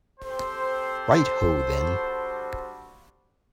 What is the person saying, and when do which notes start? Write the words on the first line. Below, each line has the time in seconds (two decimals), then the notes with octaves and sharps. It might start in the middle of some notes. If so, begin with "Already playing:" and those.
Right ho, then.
0.20 C4 G4 A4 C5
1.57 G3 D4 F#4